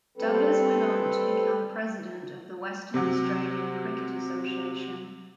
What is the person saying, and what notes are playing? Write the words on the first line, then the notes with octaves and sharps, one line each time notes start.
Douglas went on to become President of the Western Australian Cricket Association.
G3 C4 A4 B4
C3 F#3